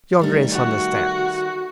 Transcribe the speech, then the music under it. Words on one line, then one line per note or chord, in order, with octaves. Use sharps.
"Your Grace understands."
D#3 G3 A3
F#4